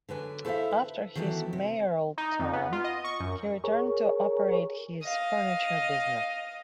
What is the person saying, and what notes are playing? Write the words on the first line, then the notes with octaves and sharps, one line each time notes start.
After his mayoral term, he returned to operate his furniture business.
D3 F#3 B4 G#5
E4 A4 C5 C#5 E5 F5
B4
D#3 E3 F#3 A3 B3 E4
C3
D#4
F2
B3
F4
D#5
C#6
F#2
G#4 A#4 C#5
D#5 F5